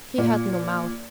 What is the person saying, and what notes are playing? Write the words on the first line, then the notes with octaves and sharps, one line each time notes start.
He had no mouth.
A#2